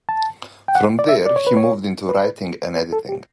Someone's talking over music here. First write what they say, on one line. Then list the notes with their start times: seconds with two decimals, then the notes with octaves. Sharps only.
From there, he moved into writing and editing.
0.09 A5
0.68 G5
0.75 F#5
0.99 D5
1.09 E5
1.26 D5
1.36 C#5
1.47 B4
1.57 C#5
2.09 B4
2.76 B4
2.93 A4
3.09 G4